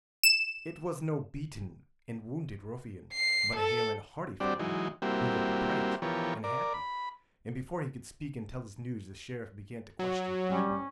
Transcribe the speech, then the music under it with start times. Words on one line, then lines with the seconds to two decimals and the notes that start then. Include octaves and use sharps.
It was no beaten and wounded ruffian, but a hale and hearty fellow, who looked bright and happy, and before he could speak and tell his news the Sheriff began to question him.
0.23 E7
3.13 C7
3.56 A4
4.40 G3 C4 D4 F#4 G4 D5
4.59 E3 F#3 G#3 D#4
5.02 G3 A#3 C4 E4 F#4 G4
6.02 E3 F3 B3 G4 A#4 C#5
6.44 A#4 D5
6.74 B5
9.99 F#3
10.50 G3 C#4